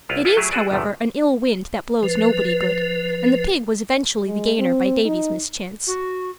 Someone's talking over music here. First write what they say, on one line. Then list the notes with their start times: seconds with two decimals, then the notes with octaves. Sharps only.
It is, however, an ill wind that blows nobody good, and the pig was eventually the gainer by Davy's mischance.
0.09 C2 E4 F4 B4 F5 A#5
0.25 E4 F4 G#4 A4 B4
0.37 F#3 A3 E4 G4 G#4
0.51 E4 F#4 G#4 A4 B4 D5
0.71 G1 E2 C3 F3 A3
2.03 F3 B4
4.26 G#3
4.58 C4
5.05 D#4
5.87 F#4